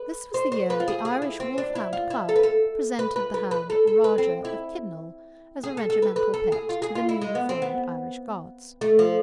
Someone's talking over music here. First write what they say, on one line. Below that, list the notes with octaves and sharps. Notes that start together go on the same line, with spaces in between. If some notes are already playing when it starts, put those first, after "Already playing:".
This was the year the Irish Wolfhound Club presented the hound Rajah of Kidnal as a regimental pet to the newly formed Irish Guards.
Already playing: B4
C5
C5
B4
F4
G#4
G#4
E4
C4
D4
E4
F4
E4
A4
B4
A4
B4
B4
B4
B4
A4
A4
B4
C4
E4
G#4
A4
A4
B4
B4
A4
G#4
F4
G#4
F4
E4
G#3
B3
C4
B3
A3
F3